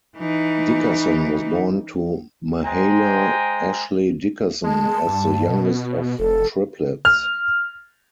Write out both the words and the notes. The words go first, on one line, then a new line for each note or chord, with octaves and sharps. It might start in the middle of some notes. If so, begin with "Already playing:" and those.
Dickerson was born to Mahala Ashley Dickerson as the youngest of triplets.
E3 D#4
G#3 C5 G5 G#5 A#5
G#3 A5
G2
B2
F1 A4
F6